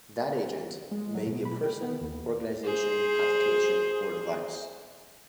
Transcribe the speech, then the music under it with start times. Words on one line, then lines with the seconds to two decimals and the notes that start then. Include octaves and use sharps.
That agent may be a person, organisation, application, or device.
0.91 G#3
1.15 F#3
1.27 B2
1.45 B5
1.63 G5
1.82 B3
2.01 D#2
2.64 G#4 C5